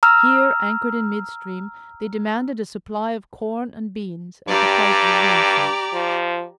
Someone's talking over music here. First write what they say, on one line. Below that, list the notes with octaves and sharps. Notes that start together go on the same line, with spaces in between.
Here, anchored in mid-stream, they demanded a supply of corn and beans as the price of his ransom.
A#5 E6 F6
G2 G4 D5 A#5
F3